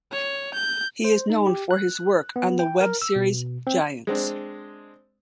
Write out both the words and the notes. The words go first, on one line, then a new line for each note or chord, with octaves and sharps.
He is known for his work on the web series "Giants".
C#5
G6
C5
D#4
G4
F#6
B3
G5
A#4
E6
B2
C4
G#3 C4 D4